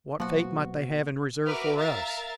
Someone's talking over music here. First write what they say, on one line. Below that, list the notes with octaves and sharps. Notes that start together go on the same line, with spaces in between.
What fate might they have in reserve for us?
B2 F3 F#3 A#3 F#4
F#4 A#4 B4 E5 D6 F6
A#4 E5 F5 A#5 A6